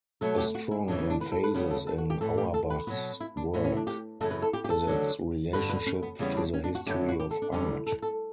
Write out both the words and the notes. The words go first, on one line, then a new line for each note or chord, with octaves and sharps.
A strong emphasis in Auerbach's work is its relationship to the history of art.
B2 F#3 A3 A4
G4
F#4
E4
E2 C#3 E3 D4
C#4
D4
B4
A4
B4
E2 C#3 G3 B3 B4
A4
A4
F#4
G4
A2 E3 A3 A4
G4
A4
B4
B2 F#3 B3 F#4
E4
D4
A2 E3 B3 C#4
C#4
D4
G4
F#2 C#3 E3 B3 A4
B4
A4
G4
G4
A4
D2 D3 F#3
G2 D3 G3 B4
B4
C#4
B3
E2 C#3 G3 B3 C#4
D4
C#4
D4
F#4
F#2 D3 F#3 B3 G4
F#4
G4
A4
D4
E2 D3 G3 B3 C#4
A4
A4